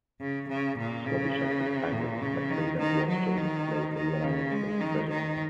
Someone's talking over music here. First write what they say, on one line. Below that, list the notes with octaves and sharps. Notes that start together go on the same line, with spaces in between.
Scottish actor Angus Macfadyen was chosen to play the United States President.
C#3
C#3
A#2
C#3
A#2
C#3
D#3
D#3
F#3
D#3
D#3
C#3
G#3
D#3
D#3